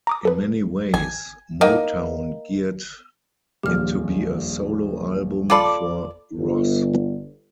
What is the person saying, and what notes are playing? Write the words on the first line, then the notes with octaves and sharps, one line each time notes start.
In many ways, Motown geared it to be a solo album for Ross.
A#5 D6 D#6
A4 B4
A1 G#5
A#3 D#4 D#5 F#5 G5
D#1 A#1 G4 F6
F4 A4 D5 B5 D6
G1